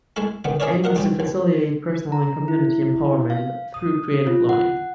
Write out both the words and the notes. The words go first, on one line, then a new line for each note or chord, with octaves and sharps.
Its aim is to facilitate personal and community empowerment through creative learning.
G#3 A3 E4 A4
C#2 D3 D#3 B3
D4 D#4 G#4 A#4 C#5 D5
A#3 A#4 D#5 F#5
G2 E3 G3
D#2
A#5
E4
F5
D#6
F4
F#5